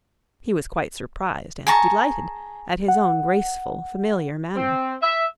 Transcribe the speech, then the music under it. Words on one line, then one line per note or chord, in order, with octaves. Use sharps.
He was quite surprised and delighted at his own graceful familiar manner.
G#4 A5 A#5 C#6
F#5
C4
E5